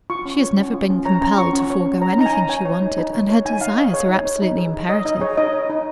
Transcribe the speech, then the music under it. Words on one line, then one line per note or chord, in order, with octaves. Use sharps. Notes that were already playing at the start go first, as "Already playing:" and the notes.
She has never been compelled to forego anything she wanted, and her desires are absolutely imperative.
F4 C#6
C#4
C#5
C#4
F4
C#4
C#5 A#5
C#4 A#5
F4 C#6
C#4
C#5
C#4
C#5 A#5
D#4 A#5
G#5
D#4
C#5 G#5
C#5
D#4
D#4
C#5
C#5
D#4 G#5
D#4 F5
C#5 D#5
G#4 C#5
D#4
C#5
D#4
G#4
D#4
C#5 D#5
D#4 D#5
G#4 C#5
D#4 D#5
C#5
D#4